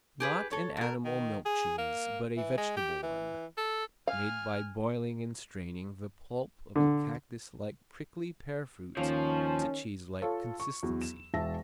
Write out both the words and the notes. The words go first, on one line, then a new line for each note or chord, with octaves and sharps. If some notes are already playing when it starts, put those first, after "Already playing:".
Not an animal milk cheese, but a vegetable one, made by boiling and straining the pulp of the cactuslike prickly pear fruit to cheeselike consistency.
G4 G#4 B4
A4 C#5
B2 A#4
D#3
G#4
A#3
E3
G#3
G4
E3
A4
F5 G#5 F6
D3
D#2 D#3 F3 C#4
F4 A4 C#5
C#6
E2 F#3
E7
E1 E5 A5 A#6